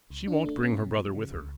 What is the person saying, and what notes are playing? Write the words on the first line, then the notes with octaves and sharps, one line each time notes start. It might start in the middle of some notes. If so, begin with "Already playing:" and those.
"She won't bring her brother with her."
C#2
D4
A3
C#4
B2
F3
C#3
C#2